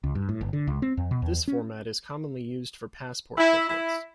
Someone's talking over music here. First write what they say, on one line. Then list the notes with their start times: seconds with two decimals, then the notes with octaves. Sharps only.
This format is commonly used for passport booklets.
0.04 C#2
0.15 G2
0.29 A2
0.41 G1
0.53 D3
0.67 C#2
0.82 C4
0.97 F2
1.11 B2
1.22 E2
1.48 C#4
3.38 E4
3.68 E4